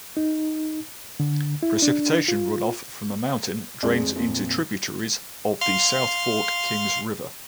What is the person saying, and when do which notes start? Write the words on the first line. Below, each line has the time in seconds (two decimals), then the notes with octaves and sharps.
Precipitation runoff from the mountain drains into tributaries of the South Fork Kings River.
0.17 D#4
1.20 D3
1.63 E4
1.82 D4
2.28 F4
3.83 F2 G#3 D5
4.16 F2 A#2
5.61 F5 C6 F6